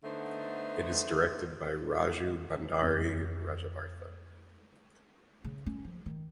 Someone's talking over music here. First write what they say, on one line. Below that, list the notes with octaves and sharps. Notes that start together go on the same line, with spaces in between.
It is directed by Raju Bhandari Rajavartha.
D3 A3 B3 D#4 C5
F2 B3 C4
C#3
C#4
F3
D#3